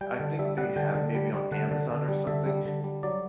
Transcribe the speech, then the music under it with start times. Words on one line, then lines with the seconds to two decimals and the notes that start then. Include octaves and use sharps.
I think they ha maybe on Amazon or something,
0.01 G3 G5
0.20 D3
0.39 G3 E5
0.58 G3 F#5
0.76 D3 G5
0.95 D3
1.15 G3
1.34 G3
1.51 D3 F#5
1.71 D3
1.90 D3
2.08 G3
2.27 D3 E5
2.46 G3
2.65 D3
2.84 G3
3.03 F#3 D5